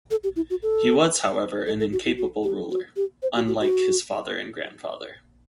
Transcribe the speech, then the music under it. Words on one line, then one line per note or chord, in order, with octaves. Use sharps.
He was, however, an incapable ruler; unlike his father and grandfather.
A4
G4
E4
F#4
A4
A4
A4
F#4
E4
F#4
G4
F#4
G4
C5
F#4
F#4
F#4